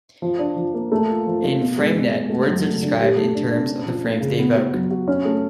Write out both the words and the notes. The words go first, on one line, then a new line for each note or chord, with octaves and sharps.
In FrameNet, words are described in terms of the frames they evoke.
F3
D4
F3
A#3
A3
F4
F3
F4
B2
G#3
B2
G#3
A3
F#3
A3
D3
G4
A3
D4
D4
C#4
F3
A#3
C#3
B3
F#4
F#3
F#4
C#4
A3